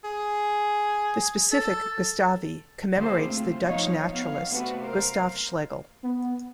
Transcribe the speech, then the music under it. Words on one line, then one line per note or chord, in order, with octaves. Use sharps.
The specific "gustavi" commemorates the Dutch naturalist Gustaaf Schlegel.
G#4
A4
D3 A#3 E4 G4 G#4 C5
C3 A3 C4 F4
F3 B3 D#4 C#5 D#5 F5
B3 C#5 F5
C3 A3 B3 D4 F#4 B4
A#4 C5 F5
B3